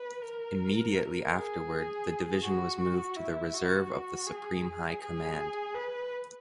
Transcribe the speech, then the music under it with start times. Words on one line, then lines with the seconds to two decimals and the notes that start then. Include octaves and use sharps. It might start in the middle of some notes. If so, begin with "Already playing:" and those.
Immediately afterward the division was moved to the Reserve of the Supreme High Command.
Already playing: B4
0.22 A#4
1.32 G#4
2.43 F#4
2.80 F#4
3.17 E4
3.54 F#4
4.27 G#4
5.01 G#4
5.75 B4